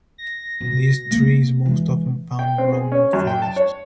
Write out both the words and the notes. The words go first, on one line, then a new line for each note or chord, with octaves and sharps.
This tree is most often found growing in forests.
A#6
B2
A#3 D4
E1 E3
G5
C4
G#4
C#4
F#2
G5
A5
C#5